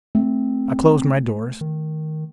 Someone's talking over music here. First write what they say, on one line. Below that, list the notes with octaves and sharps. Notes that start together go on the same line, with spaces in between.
I closed my doors.
A3 C4
D#3